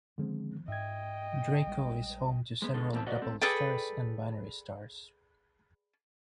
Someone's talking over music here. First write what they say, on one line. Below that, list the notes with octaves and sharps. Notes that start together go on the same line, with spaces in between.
Draco is home to several double stars and binary stars.
D3 D#3 F3 G#3 B3 C4
G#2 D#5 E5 G5 G#6
A#1 G3 G#3
G#3 B3
B2 D3 G#3 B3 A4
E2 A3 B3 C4 A5
F#4 B4 D5 D#5 F#5
G#3 C4 A4
G#4 A4 B4 D5 G5